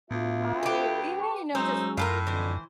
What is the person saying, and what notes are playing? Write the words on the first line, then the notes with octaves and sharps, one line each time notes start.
I, even, you know just
D2 A2 B3 F4 E5 F5
G4 A4 B4
C#6
F#3 G#3 C#4 D#4 C5 E6
F#2 A2 F4 A4 A#4
F2 D3 E3 C5